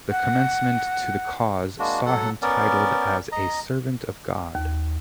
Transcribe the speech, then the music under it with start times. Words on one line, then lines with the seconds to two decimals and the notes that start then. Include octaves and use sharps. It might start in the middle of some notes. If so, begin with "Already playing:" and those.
The commencement to the cause saw him titled as a Servant of God.
0.11 F#5
1.79 G#3 A#3 D4 F#4
2.06 F#3 A4 F#5
2.42 B3 C#4 A#4 D5
3.32 D#5 A#5
4.55 D#2